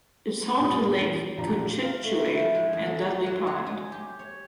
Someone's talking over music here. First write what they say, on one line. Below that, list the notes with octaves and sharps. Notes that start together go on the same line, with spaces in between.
It is home to Lake Cochituate and Dudley Pond.
A#2 G3 G#5 D#6
E2
A#1 A#2 G4 A5 A#5
F4
A3
E4
F3
G#3
E2
A4
F#3
F#3
G#3
G4
C#5